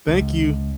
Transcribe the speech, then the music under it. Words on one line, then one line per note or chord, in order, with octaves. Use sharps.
Thank you.
C#2